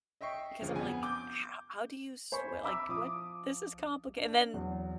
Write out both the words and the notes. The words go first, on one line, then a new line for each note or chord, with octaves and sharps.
because I'm, like, how "How do you sw like, what? This is complica" and then,
D#5 E5 G5 C#6 C7
D2 G2 F3 G#3 C#4
F2 B3 G#5
D6 G6
C5 G#5 B5 C#6
E5 A#5 B5 D6 E6
F3 D6 D#6
D4
E2 F#3